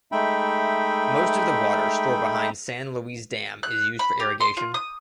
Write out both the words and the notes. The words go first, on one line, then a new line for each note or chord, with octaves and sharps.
Most of the water stored behind San Luis Dam is used for irrigation.
G#3 A3 D#4 E5 G5 B5
F#6
B5
G4
C6
F4
D#6